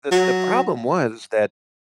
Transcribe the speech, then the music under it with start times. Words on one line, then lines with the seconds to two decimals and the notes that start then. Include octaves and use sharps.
the the problem was that
0.12 F#3